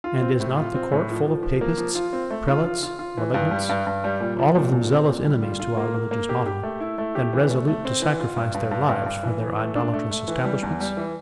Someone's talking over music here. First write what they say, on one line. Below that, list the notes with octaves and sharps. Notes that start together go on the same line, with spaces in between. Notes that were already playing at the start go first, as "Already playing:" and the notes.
And is not the court full of Papists, prelates, malignants; all of them zealous enemies to our religious model, and resolute to sacrifice their lives for their idolatrous establishments?
F4
C4
A2
F4
C4
A2
F3
F3
F3
A#3
F3
F4
C4
A3
F4
F4
F4
F4
E3
G2
G3
G2
G2
G3
A#2
F3
A#2
A#2
C4
A#2
G3
F4
F4
A#3
A#3
A#3
G4
G4
A3
E4
A3
G4
E3
A3
A3
C4
E3
F4
G2
G2
G2
G2
G2
E3
E3
A3
D4
A3
A3
E3
G3
E2
G3
E3